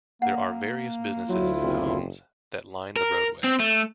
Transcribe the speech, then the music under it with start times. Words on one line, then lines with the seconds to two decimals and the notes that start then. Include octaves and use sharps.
There are various businesses and homes that line the roadway.
0.22 A#3 F#5
1.29 D2 F#3 E4 F4
1.62 F#1 C4
2.96 A#4
3.44 C4
3.59 A3